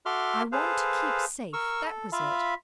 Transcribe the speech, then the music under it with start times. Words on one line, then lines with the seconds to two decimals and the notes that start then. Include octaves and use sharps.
'I want to keep safe.' That was it.
0.06 F#4 A4 E5 C6 D6 F6
0.52 G#4 A4 B4 C5 F5
1.53 A#4 C#6 E6
1.86 A4
2.12 F4 E5 F5 B5